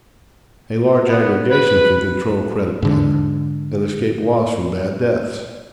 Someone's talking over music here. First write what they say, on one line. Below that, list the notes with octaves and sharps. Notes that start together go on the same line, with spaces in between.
A large aggregation can control credit better and escape loss from bad debts.
B3
B4
G#2 D3